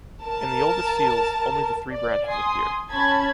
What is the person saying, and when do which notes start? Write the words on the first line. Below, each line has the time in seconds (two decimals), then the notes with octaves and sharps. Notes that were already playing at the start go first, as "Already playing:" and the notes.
In the oldest seals, only the three branches appear.
0.23 A#4 A5
1.90 D5
2.26 G#5 C6 D#6
2.89 C#4 A5 B5 G#6